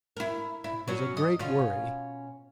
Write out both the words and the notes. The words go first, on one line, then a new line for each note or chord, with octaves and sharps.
It was a great worry.
E4 A#4
E4
F#3 C#4
D#5
B2 C#4 F4